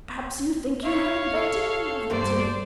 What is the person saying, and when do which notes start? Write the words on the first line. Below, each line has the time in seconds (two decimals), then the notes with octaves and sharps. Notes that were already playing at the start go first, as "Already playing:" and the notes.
Perhaps you think you have invented a novelty?
0.83 E4 C#5 F5
1.33 A4
2.10 E2 G2 C3 C5 D5